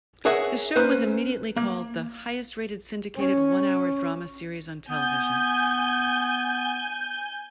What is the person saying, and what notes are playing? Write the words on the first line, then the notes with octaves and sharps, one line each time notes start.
The show was immediately called the "highest-rated syndicated one-hour drama series on television".
G#4 A#4 C#5 E5 F#5 G#5
A#3 C#4 B4 C5
A#3
C#4
B3 G#5 G6